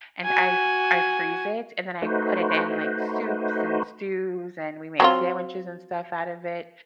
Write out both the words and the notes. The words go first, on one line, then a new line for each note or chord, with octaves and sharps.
and I fr I freeze it and then I put it in, like, soups and stews, and we make sandwiches and stuff out of it.
F#4 G#5
A3 D#4 F#4 B4 C5
F#3 C4 F4